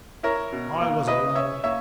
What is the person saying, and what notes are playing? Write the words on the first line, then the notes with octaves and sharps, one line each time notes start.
I was alone.
E4 A#4 C#5
B2
A#3
E4 B4 D#5
C#4 C#5 E5
A#3 C#5 E5